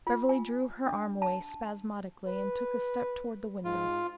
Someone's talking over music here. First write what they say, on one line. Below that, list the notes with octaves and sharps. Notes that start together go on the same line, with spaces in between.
Beverly drew her arm away spasmodically and took a step toward the window.
F4
G#5
D4
A5
B4
G#2 F4